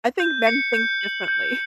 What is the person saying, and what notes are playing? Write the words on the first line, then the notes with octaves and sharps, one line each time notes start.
I I think men think differently.
G6
C#7
G6
F#7
G6